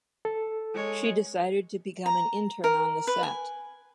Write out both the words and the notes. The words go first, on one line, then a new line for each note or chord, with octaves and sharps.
She decided to become an intern on the set.
A4
G#3 C#5
A#5
A#4
B4
G#5